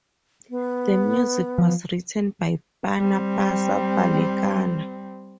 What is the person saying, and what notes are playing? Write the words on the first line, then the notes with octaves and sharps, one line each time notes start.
The music was written by Panapasa Balekana.
B3
F3
G3 C4